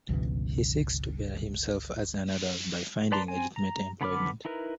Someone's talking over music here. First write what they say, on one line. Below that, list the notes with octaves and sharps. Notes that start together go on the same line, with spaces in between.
He seeks to better himself as an adult by finding legitimate employment.
G1 C#2 B2 E3
B4 D5 A5 A#5 C6
C4 G#5
A#5
D3 B3 B5 D6 F6
D#4 E4 A#4 B4